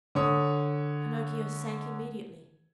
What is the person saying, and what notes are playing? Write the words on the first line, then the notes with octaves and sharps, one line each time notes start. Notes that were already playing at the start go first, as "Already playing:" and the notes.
Pinocchio sank immediately.
D3 C#5 D#6